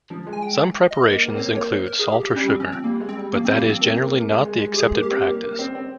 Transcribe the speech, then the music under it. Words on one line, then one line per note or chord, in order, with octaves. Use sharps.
Some preparations include salt or sugar, but that is generally not the accepted practice.
F3
G#3
G#5
G5
D#5
A#3
A#3
C4 C#5
A#3
C#5
C5
A#4
G#4
G4
G4
G3 C#4
C4
F3 C#4
C4
G3 A#3
G#3
C4
G3
F3 A#3
C4
G3
A#3
F3
C4
A#3
A#3
A#3
G#3
G#3
G#3
G4
G#3 G#4
A#3
G4
C4
A#3
A#3
C4
C4